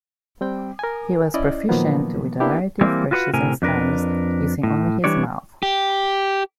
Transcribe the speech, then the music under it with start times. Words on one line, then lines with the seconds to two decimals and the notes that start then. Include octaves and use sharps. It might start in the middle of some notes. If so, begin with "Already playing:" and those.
He was proficient with a variety of brushes and styles, using only his mouth.
0.41 G3 C4 G5
0.79 A#4 G#5
1.34 C#4 E4 D5 D#5
1.69 A#2 D#3 F3 F#3 A#3 B3
2.40 A#3 B3 D4 E4 G4
2.81 E3 G3 A#3 C4
3.11 F4 F#4 B4 C#5 F#5
3.34 A2 C3 A#4 G#5
3.62 F2 D4 A#4 B4
4.63 A2
5.04 E3 F3 G3 D4 C#5 D5
5.63 G4